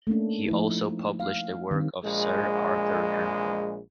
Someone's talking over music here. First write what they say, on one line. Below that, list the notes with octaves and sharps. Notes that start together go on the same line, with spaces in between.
He also published the work of Sir Arthur Grimble.
A3 A#3 C#4 D4
F3 A3 D#4 E4
F5
D#3 G3 C4 D4
A#1 G#3